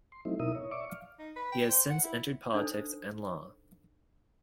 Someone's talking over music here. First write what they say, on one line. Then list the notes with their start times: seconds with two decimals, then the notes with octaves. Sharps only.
He has since entered politics and law.
0.12 C6
0.25 F#3 A3 C4 D#4 E4
0.40 B2 D#4 E4 A#4 E5 D#6
0.55 C#5
0.71 D5 E5 C#6 D6
0.90 F5
1.19 D#4
1.36 B4
1.52 G5
1.69 C5
1.90 F#5
2.03 E4
2.54 D4 D#4 A4 C5